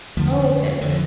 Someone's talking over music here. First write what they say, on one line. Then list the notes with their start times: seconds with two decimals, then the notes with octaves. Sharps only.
Oh, okay, okay.
0.17 F2 D3 F3 A3
0.81 D3 D#3
0.90 F3